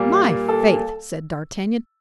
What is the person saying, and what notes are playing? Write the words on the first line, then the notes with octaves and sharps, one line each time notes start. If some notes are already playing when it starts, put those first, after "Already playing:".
"My faith," said d'Artagnan.
Already playing: A#2 G3 A#3
A4